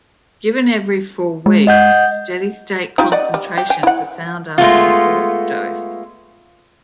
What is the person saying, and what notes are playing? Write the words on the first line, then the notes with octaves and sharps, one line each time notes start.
Given every four weeks, steady state concentrations are found after the fourth dose.
G#3
D#5 F#5 G6
D#4 F4 G4
D5 D#5 F#5
G3
G4
G5 G#5
E4 F#5
G#3 A3 B3 F4